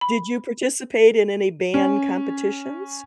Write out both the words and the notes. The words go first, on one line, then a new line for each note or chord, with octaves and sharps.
did you participate in any band competitions?
B5
C#4